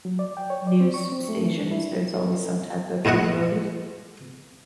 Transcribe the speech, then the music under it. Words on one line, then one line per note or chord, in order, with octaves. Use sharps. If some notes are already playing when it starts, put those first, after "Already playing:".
news s stations, there's always some type of hidden motive,
F#3
D5
G5
C#5
D5
C4
C#6
C4
A3
E3
D4
E4
E2 A2 E4 D#5 F#5